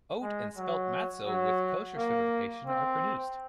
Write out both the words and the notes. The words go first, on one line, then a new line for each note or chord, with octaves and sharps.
Oat and spelt matzo with kosher certification are produced.
G#3
F#3
F#3
A#3
C4